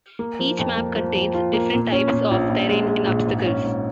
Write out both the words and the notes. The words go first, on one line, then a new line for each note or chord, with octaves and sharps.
Each map contains different types of terrain and obstacles.
A#3
F3
F2
A#3
F3
F3
F4
A#3
A#2
C#4
A#2
A#1
A#1
G#3
G#3
A#1
G#2
C#4
G#2